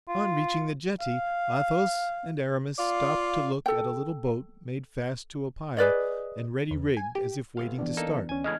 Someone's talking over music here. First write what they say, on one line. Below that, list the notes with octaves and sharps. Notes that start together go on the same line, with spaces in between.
On reaching the jetty Athos and Aramis stopped to look at a little boat made fast to a pile and ready rigged as if waiting to start.
F4
F5
F4 D5 F5
A4 G5
G#4 B4 D5 D#5
E2
G#5
G4
G1 F5
E3 B3 D4
A#3 D#4 A4
D2 C#4 G#5
A2 C#3 G#3 D#5 F6 G#6